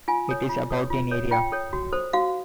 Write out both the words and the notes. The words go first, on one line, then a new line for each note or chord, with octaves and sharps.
It is about in area.
F4 G#5
A4 C#5
F4
A4 C#5
F4
A4 C#5
F4 G5
A4 C#5
F#4
A4 C5
F#4 F5